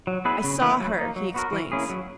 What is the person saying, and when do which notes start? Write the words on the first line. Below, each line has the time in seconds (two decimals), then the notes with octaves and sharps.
"I saw her," he explains.
0.07 F#3
0.25 B3 E4 G#4 B4
0.44 C#3
0.62 E3 A#3 E4 B4
0.80 F#3
0.98 A#3 D#4
1.16 F#3
1.34 B3 F#4 A#4
1.53 E3
1.72 A#3 C#4 E4 G#4
1.90 F#3